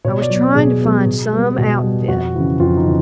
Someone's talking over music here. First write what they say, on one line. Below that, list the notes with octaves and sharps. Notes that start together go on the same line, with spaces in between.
I was tryin' to find some outfit.
B2 C#5
D5
F#3 B3
B2 G#4
F#3 B3
B2
G3 B3
B2
G3 B3
F2 F#4
C#3 E3
F2 F4
D#4
C#3 E3